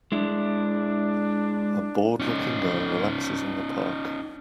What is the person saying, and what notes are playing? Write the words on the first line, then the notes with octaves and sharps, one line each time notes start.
A boredlooking girl relaxes in the park.
G#3 D4 E4
C#4 D#4